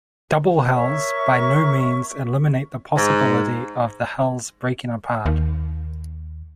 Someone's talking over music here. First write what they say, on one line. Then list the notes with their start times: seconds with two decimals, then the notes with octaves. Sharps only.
Double hulls by no means eliminate the possibility of the hulls breaking apart.
0.72 A#4 C#5 E5 C#6
2.96 G#2
5.26 D#2